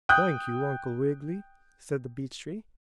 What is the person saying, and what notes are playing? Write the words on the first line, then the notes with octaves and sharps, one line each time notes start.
"Thank you, Uncle Wiggily," said the beech tree.
G5 D#6 F#6 G6